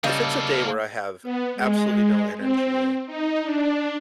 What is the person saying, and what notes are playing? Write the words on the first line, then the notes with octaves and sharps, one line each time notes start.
if it's a day where I have absolutely no energy,
C#3 G3 A#3 A4 D#5
B3
G#3
C4
D#4
D4